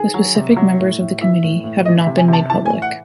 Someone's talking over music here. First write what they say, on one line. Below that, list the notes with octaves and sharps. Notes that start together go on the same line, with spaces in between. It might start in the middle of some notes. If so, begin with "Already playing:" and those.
The specific members of the committee have not been made public.
Already playing: D#3 G#4
F#3
C3
F#3
A2
A2
E3 E5
A2
A2
E3 D#5
E5
C3
G#5
C3
A5
E3 A5
G#5
A2
F#5